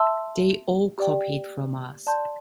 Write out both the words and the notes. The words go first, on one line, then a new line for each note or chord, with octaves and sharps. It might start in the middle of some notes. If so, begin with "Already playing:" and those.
They all copied from us.
Already playing: E5 A5 C6 E6
G4 D5 G5
D5 A5 C6 G6